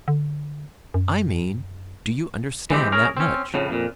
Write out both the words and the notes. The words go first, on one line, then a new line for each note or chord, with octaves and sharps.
"I mean, do you understand that much?"
D3
F#2
E3 G#3 C4 G4
C#4 G#4 A#4
C4 C#4
F2 A2 C#3
F2 A#2